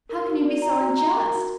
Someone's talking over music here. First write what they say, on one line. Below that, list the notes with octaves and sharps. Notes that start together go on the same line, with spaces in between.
How can you be so unjust?
A#4
F#4
D5
A#5
F#4
A#5
A#4
F#4